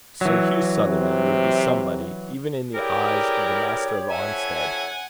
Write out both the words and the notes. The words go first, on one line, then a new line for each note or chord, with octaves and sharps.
Sir Hugh Sutherland would be somebody even in the eyes of the master of Arnstead.
E3 F#3
C3
E3 G4 G#4 A#4 C#5 D5
F2 E5 F#5 G#5